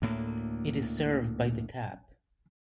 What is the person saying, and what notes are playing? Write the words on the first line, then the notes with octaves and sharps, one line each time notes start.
It is served by the Cap.
D2 A2 A#3